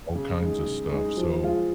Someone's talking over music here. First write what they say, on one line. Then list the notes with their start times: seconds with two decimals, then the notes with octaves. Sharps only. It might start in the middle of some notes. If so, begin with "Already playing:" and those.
all kinds of stuff, so,
0.15 C#3
0.41 G#3 D#4
0.66 C#3
0.91 G#3 D#4
1.17 F3
1.43 G#3 F4